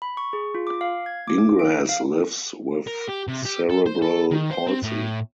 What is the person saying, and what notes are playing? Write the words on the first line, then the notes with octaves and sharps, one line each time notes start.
Gingras lives with cerebral palsy.
B5
C#6
G#4
F4
D6
F5
G#6
D6
D7
F5
A#4
G4
C3
G4
A4
C5
A4
D#3
C5
C4
A2